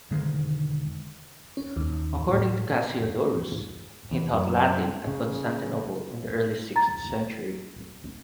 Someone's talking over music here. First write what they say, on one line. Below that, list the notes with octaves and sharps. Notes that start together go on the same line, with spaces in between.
According to Cassiodorus, he taught Latin at Constantinople in the early sixth century.
E1 D3 D#3 G#3
C#4
D#2
A2
E2
F#2
C#3
A#5 A6